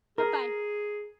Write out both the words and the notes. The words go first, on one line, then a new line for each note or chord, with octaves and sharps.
Bye bye.
G#4 A#4